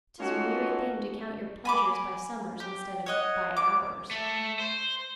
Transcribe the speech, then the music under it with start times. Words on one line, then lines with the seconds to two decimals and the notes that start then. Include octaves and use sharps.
'Tis a weary thing to count your pleasures by summers instead of by hours.
0.19 A#3 C#4 D#4 F4 F#4 A4
1.65 G#5 B5 D6
2.60 G4
3.06 C#5 D#5 F#5
3.57 D6
4.11 A3
4.60 C5